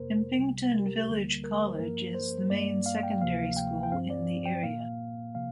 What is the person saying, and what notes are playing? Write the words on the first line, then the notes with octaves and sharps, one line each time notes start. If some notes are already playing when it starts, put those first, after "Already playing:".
Impington Village College is the main secondary school in the area.
Already playing: F2 C3 A#3 A#4 C5
C2 C3 G3
A#4
G4
A#4
D2 D3 G3 A#3 A#4
A#4
C5
G2 F3 A#3 A#4
C5
G2 G3 A#3 D5
F5
G5
D2 C3 F3 A#3 F5
G5
G5
G2 F3 C4 F5
D5
G5
A#2 A#3 F5
C3 F3 A#3 F5